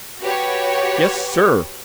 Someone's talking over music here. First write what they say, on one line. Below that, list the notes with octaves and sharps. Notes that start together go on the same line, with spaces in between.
"Yes, sir!"
F#4 G4 B4 C#5